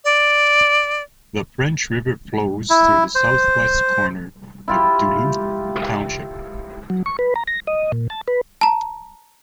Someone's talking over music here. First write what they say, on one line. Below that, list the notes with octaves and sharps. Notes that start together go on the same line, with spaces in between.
The French River flows through the southwest corner of Duluth Township.
D5
E4
C5
E4 F4 G4
F#3
C#6
B4
A#5
A#6
D#5
A#2
A5
B4
A5 A#5